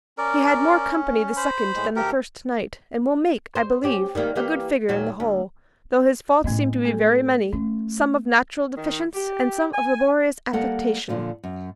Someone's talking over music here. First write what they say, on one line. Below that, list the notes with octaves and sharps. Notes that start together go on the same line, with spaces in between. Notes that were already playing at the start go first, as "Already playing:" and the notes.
He had more company the second than the first night, and will make, I believe, a good figure in the whole, though his faults seem to be very many; some of natural deficience, and some of laborious affectation.
C#4 A#4 D5
C5 B5
A2 G#3
D2 A3 G4 A4 A#4
C5
C#4 G4
D#3 G3 A#3
E3 A#3 G4
D#2 A#2 F#3
D2
A2 A3 B3 C#4 D#5
A3 A4
A3 C#4
D#3
G4
G#5
G3 A#3 A4 F#5
A#2 D3 F3
F#2